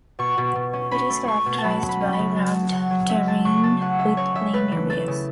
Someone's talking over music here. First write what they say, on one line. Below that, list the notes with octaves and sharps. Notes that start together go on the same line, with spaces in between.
It is characterized by rugged terrain with plain areas.
B2 C#6
B2
B2
C#4
C#4 B5
A3
A3 C#6
B2
A5
F#3 B5
F#3
B5
C#4
B5
C#3
F#3 A5
C#3
C#3 F#5
F#3
A3 E5
A3 A5
C#3 C#6
A3 A5
C#4 F#5
C#4 E5
C#3 C#5
C#3 E5
A3 B4
E3
A3 A4
C#3